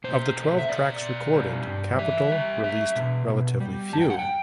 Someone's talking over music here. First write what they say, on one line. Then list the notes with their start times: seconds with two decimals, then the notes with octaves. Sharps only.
Of the twelve tracks recorded, Capitol released relatively few.
0.04 B2 C5
0.37 A3
0.58 E5
0.69 B2 D5
1.01 B2
1.34 G3
1.66 G2
1.98 E3 E5
2.31 G3
2.64 G3 E5
2.96 B2
3.28 B2
3.60 G3
3.93 F#2 A5
4.02 G5
4.10 F#5
4.19 G5